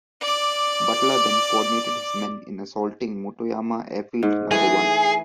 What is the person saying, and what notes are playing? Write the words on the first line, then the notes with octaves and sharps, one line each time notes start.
Butler then coordinated his men in assaulting Motoyama Airfield Number One.
D5 D6
G#2
E3 A3 G#4